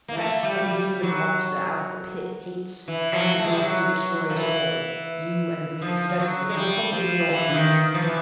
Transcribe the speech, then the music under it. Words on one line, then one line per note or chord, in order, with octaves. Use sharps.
That semi-human monster out of the pit hates and means to destroy us all--you and me certainly, and probably your uncle.
A#3
A3
G3
G3
F#3
E3
F#3
A3
G#3
G3
F#3
F3
E3
F3
F3
F#3
G#3
G3
F3
E3
D3
D#3
F3
E3